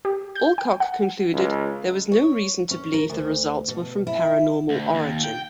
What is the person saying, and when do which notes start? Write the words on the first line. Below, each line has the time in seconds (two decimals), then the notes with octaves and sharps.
Alcock concluded there was no reason to believe the results were from paranormal origin.
0.05 G4
0.35 G6
0.58 G5
0.80 F#5
1.33 C#2
2.12 C#5
2.71 C#4
2.94 A#4
3.10 D2
3.68 B2
4.07 E4
4.69 D2
4.94 D#2
5.24 G5